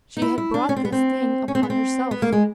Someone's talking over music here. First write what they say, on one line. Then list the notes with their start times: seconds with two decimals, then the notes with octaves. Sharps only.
She had brought this thing upon herself.
0.17 D#4
0.22 E4
0.38 E4
0.54 D4
0.69 C#4
0.76 C4
0.85 B3
0.92 C4
1.48 C#4
1.55 C4
1.63 B3
1.70 C4
2.11 B3
2.22 A#3
2.33 G#3